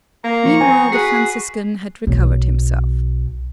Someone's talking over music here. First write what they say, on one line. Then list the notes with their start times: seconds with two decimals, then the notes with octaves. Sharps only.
Meanwhile the Franciscan had recovered himself.
0.24 A#3 A#5
0.45 F3 C#6
0.61 C4 G#5
0.92 F#4 G#4 B4 C7
2.07 B1